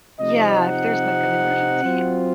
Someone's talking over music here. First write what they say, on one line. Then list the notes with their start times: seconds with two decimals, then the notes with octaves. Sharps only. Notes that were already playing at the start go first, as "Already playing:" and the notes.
yeah, if there's, like, an emergency
0.20 C3 F3 C4 D#4 D#5
0.60 F#5
1.81 F#3 C4 F4